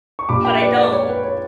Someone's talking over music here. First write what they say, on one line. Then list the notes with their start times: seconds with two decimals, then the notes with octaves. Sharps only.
but I don't.
0.19 C#6
0.29 A#1 A#2 G3 B5 D6
0.45 G5 B5
0.61 B4 D5
0.77 B4 D5
0.93 C#5
1.09 B4
1.24 C#5